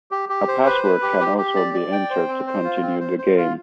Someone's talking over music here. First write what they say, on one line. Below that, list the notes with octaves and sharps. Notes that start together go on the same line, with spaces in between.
A password can also be entered to continue the game.
G4
G4
C5
B4
B4
G4
G4
G4
D5
D5
G5
C5
C4
C5
F4
C4
C5
C5
F4